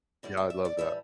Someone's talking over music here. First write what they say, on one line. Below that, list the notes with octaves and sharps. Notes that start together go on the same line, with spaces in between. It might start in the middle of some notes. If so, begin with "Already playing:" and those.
Yeah, I love that.
E2 D3 G3 D5
G5
E5
D5
A2 E3 G3 E5